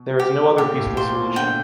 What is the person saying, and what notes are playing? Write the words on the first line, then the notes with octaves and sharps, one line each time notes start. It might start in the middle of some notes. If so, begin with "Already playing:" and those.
There is no other peaceful solution.
Already playing: B2
G4
A#2 G4
A2
A#2 C5
B2
D3 G5